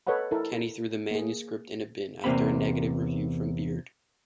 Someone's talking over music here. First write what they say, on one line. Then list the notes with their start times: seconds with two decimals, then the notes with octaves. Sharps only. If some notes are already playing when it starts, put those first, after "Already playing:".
Kenney threw the manuscript in a bin after a negative review from Beard.
0.07 A4 B4 C#5 D#5 F#5 B5
0.31 E4 A4 A#4
1.11 A#3 G#4
2.24 E2 C3 A#3 C4 B5